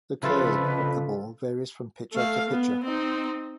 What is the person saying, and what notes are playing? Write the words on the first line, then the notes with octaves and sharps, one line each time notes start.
The "curve" of the ball varies from pitcher to pitcher.
F2 C#3 F3 E4 F4 A4 B4
A3 F5
B3
C4 D#4